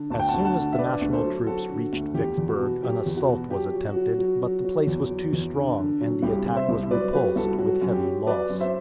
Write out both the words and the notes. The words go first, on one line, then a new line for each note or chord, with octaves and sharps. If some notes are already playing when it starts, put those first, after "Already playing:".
As soon as the National troops reached Vicksburg an assault was attempted, but the place was too strong, and the attack was repulsed, with heavy loss.
Already playing: D3
D2 A5
G5
F#5 A5
D2
F#5 A5
D3
E5
D3 B4 D5
D2
A4 C5
F#3
F#3 F#4 A4
D3
D2
E2 G4
E2
F#4
B2
F#3 G4
E2
F#4
B2
F#3 G4
F#3
F#4
F#3
F#3
F#3
F#3
E2
F#3
E2
D3
D3
F#3
C2 G4
C3
C5 E5
C2
F#3 B4 D5
F#3 G4 B4
C2 F#4 A4
F#3 F#4
F#2
G4
F#3
F#3 B4 D5
F#2
C5 E5